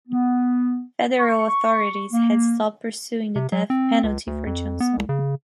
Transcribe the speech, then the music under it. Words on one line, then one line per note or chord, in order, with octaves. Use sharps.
Federal authorities had stopped pursuing the death penalty for Johnson.
B3
C#6
A#3
C3
F#3
C4
C#2
D2
F2
B3
C2
C#3